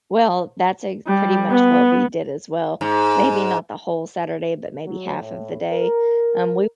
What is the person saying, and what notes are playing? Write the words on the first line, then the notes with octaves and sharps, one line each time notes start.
Well, that's ex pretty much what we did as well maybe not the whole Saturday, but maybe half of the day um, we
G3
B3
G#2
F#3
A2
A#4